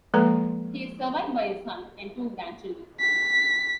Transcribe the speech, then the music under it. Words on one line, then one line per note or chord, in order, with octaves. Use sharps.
He is survived by his son and two grandchildren.
F3 G#3 A#3 A4 B4 A#5
B6